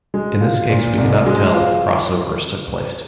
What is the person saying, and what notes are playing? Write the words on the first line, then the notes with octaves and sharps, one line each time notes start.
In this case we cannot tell if crossovers took place.
G#3
F4
A#2
C2
G#3
F4